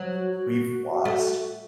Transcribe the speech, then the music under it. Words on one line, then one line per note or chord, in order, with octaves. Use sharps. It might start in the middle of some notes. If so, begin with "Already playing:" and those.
we've lost.
Already playing: F#3
F#4
F#4
A3 F#4